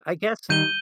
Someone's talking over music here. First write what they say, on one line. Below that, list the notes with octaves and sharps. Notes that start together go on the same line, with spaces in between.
I guess
D#3 G3 G6 D#7 G7